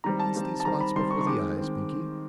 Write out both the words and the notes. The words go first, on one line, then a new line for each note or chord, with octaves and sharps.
Hence these spots before the eyes, Binkie.
D#3 G3 C4 A#5
A5
D#3 G3 C4
A5
D#3 G3 C4 A#5
B5
D#3 G3 C4 C6
C#6
C#6
D#3 G#3 C4 D6
D#3 G#3 C4